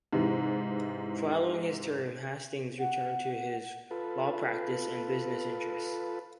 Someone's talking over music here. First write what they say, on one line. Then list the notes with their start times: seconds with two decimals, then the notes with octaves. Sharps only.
Following his term, Hastings returned to his law practice and business interests.
0.13 G#2 C3 E3
2.80 F#5
3.91 F4 A4 B4